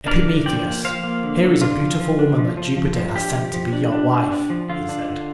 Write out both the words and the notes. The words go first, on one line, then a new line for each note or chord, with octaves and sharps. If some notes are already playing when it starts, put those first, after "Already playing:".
"Epimetheus, here is a beautiful woman that Jupiter has sent to be your wife," he said.
D4 A#4 D5
D3
F3 D5 G5
A#3
F3 C5 F5
A#3
D3
D3
D4 F4
F3
F3
D4
F3
F3
F3
F3
D4 G4
F3
F3
D4
D4
D4
D4
F3
D3 F4
D4
D3